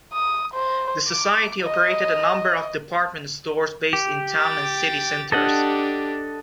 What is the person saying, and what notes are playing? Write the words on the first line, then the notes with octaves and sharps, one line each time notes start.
The society operated a number of department stores based in town and city centres.
D#6
C5
D6
D#5
G4
G5 A6
D4 G4 A4 D#5 F#5